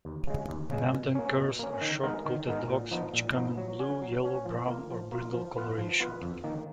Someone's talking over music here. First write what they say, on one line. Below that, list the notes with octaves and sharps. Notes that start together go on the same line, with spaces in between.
Mountain Curs are short-coated dogs which come in blue, yellow, brown, or brindle coloration.
D#2
C#3 G#3
D#2
C#3 G#3
B2
A#3 C#4
B2
A#3 C#4
D#3
G#3 B3 D#4 A#4
D#3
G#3 B3 D#4 A#4
A#2
F3 B3 D#4
A#2
F3 B3 D#4
F#3
C#4 F#4 C#5
F#3
C#4 F#4 C#5
F3
A#3 F4
F3
A#3 F4
F3
B3 F4 B4
F3
B3 F4 B4
F2
D#3 A#3